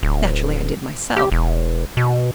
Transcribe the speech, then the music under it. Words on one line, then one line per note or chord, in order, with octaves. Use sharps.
Naturally I did myself.
D1
G4
E1
B2